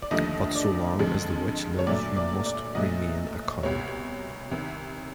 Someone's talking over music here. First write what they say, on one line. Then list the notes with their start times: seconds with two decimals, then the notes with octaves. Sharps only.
But so long as the Witch lives you must remain a coward.
0.02 D5
0.11 D#2 D3 F3 A3 D#5
0.55 D5
0.99 F2 D3 F3 G#3
1.79 C#5
1.87 A#2 F#3 A3 D5
2.17 D5
2.45 D5
2.75 A#2 F#3 A3 D#5
3.63 C2 B2 G3 C#5
4.51 C2 C3 D#3